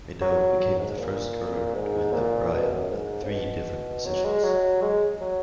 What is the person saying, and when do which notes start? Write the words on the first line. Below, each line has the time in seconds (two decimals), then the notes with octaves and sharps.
Middaugh became the first curler to win the Brier at three different positions.
0.21 F#3
0.60 F#3
0.79 G#2
0.98 A#2
1.74 G#2
2.13 A#2
2.52 B2
2.72 F#2
2.90 G#2
3.23 C#3
3.29 B2
4.06 F#3
4.25 G#3
4.43 F#3
4.82 G#3
5.21 F#3